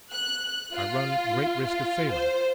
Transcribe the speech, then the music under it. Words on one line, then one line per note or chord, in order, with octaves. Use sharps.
I run great risk of failing.
F#6
F4
F4
C5